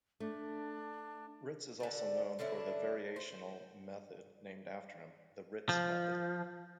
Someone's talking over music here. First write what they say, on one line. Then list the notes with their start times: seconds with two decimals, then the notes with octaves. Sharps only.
Ritz is also known for the variational method named after him, the Ritz method.
0.20 A3 D4
1.80 D3 G3
2.39 D3 C#4 D4 E4
3.16 C5
5.69 F3